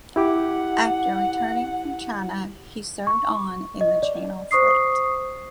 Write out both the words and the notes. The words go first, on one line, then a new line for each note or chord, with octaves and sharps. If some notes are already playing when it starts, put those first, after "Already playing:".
After returning from China, he served on in the Channel Fleet.
E4 G4 F#5 D6
C#6
D#5
D5
C5 C#6 D#6 C7